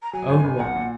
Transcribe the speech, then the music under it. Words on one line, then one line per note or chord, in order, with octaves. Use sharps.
Own what?
A#5
F#3 G#5
G#1
G#1
B1 F#5
A#2